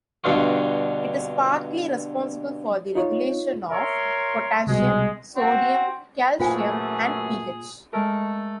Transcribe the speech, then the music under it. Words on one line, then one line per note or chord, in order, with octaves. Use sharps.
It is partly responsible for the regulation of potassium, sodium, calcium, and pH.
G2 B2 D3 F4 F#4
D#4 F4 C#5
A#4 C#5 E5 C6
C2 B2 G3 G#3
C4 F#4
F#2 A#2 E3 A3 F4 G#4 C5 G#5
G#3 A3 A4 A#4